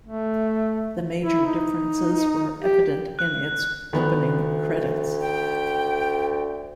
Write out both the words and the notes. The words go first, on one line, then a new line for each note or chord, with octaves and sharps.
The major differences were evident in its opening credits.
A3
E4
D#4
G4
F#6
D2 D#3 B3 F#6
G5